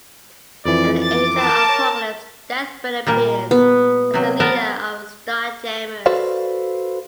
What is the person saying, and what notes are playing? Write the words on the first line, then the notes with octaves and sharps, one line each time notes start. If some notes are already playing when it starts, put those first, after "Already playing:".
In the Age of Apocalypse, Deathbird appears as the leader of the Starjammers.
F2 E3 D5
D6 A6
A#4 A5
C#5
A#2 G3 A#3
B3
C3 F#3
B3 A#4 A5
F#4 A4 B4 C5 D5 F5